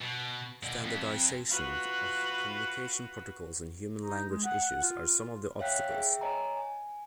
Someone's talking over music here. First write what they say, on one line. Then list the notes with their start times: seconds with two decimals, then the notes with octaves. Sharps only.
Standardization of communication protocols and human language issues are some of the obstacles.
0.02 B2
0.63 B2 D5
0.84 F2
1.49 F4 F#4 B4
4.02 D#4
4.30 G#3
4.44 F#5
4.83 F4
5.60 C#5 E5 F5 G5 F#6 B6
5.89 G#4 E5 G5
6.21 C#5 D#5 G#5 A#5
6.57 G#5